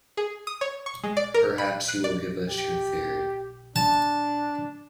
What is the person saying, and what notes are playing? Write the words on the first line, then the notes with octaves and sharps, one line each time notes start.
Perhaps you will give us your theory.
G#4
D#6
C#5
C#6
G#3
D5
A#4
B5
F#6
D5
G4
D4 A5